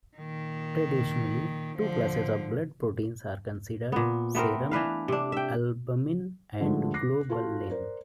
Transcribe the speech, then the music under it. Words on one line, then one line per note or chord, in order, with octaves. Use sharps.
Traditionally, two classes of blood proteins are considered: serum albumin and globulin.
A#2 D#3
D3 F3
A#2 B3
A3 B3 C4 A#4
E3 D4 B4 F5
C3 D4
E5 G5
G2 D3 F3 G#3 A3
D6 F#6 A#6 C7
F4 F#4 A4 F5 A5 C6
A#4 C5 D5